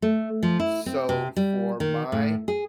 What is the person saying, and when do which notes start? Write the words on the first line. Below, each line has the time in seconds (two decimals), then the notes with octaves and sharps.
so for my,
0.02 A3
0.43 F3
0.60 E4
0.86 C4
1.09 C3
1.36 G3
1.80 D#3
2.12 A2
2.48 G#4